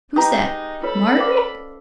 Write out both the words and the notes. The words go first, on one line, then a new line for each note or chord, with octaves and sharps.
Who's that,--Margaret?
G#3 D#4 G4 B4 A#5 D#6
F4 A4 B4 C#5 B5
C#4 B4 C5 D5 F5 D6